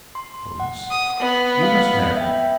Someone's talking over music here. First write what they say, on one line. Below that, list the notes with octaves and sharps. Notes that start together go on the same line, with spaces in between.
Collins, you must marry.
C6
F#5
D#6
B3
F5
E5 G5